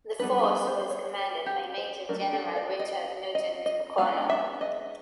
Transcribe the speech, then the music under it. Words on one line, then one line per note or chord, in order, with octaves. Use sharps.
The force was commanded by Major-General Richard Nugent O'Connor.
G3 B3 D4 B4
B4
C5
C5
C#5
G4
C5
F#3 A3 D4 A#4
A4
D5
D#5
D#5
D#5
G#3 B3 D4 F5
E5
D#5